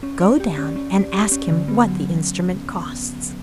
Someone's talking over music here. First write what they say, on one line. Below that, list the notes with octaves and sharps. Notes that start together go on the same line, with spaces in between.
Go down and ask him what the instrument costs.'
C#4
D5
G4
C#4
C#4
D5
G4
C#4
D3
B3
F#3